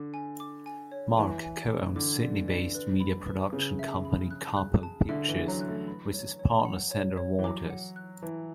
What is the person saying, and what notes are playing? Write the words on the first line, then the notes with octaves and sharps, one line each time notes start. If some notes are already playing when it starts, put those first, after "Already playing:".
Mark co-owns Sydney based media production company Kapow Pictures with his partner Sandra Walters.
Already playing: D3 D6
G#5
D6
G#5
C#5
E3 G#5
G#5
D6
D3 D6
D5
D5
B4
B5
B4
C#3 B4
E5
B5
F#6
F#6
A5
D3 E5
E3
E5
F#3
F#6
A3
B5
C#5
C#5
F#5
C#5
C#5
E3
F#3 D6
F#5
F#6
E3 A5